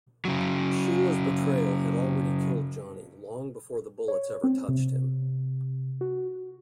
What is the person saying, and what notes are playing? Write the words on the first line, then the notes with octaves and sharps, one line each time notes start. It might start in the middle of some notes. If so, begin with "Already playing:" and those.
Sheila's betrayal had already killed Johnny long before the bullets ever touched him.
C#3 F#3
C#5
C4
C3
F#4